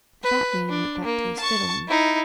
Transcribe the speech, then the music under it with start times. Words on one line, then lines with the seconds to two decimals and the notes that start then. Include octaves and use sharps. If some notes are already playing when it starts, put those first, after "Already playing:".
The fat man went back to his fiddling.
0.24 B4
0.69 D4
1.04 A#3
1.39 A5 C#6
1.88 D#4 E4